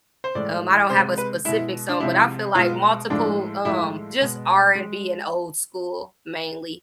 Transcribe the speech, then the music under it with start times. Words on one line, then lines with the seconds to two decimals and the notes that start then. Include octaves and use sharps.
um, I don't have a specific song, but I feel like multiple, um, just R&B and old school, mainly.
0.24 C5
0.35 A2 E3 G#3 D5
0.90 C3 G#3 C5
1.18 B4
1.45 B2 G#3 E4
1.89 D4
2.00 C3 F3 G#3 E4
2.55 B2 G#3 F4
3.10 A2 F3 G#3 D4
3.65 A2 F3 G#3 E4
4.20 B2 G#3
4.75 G#3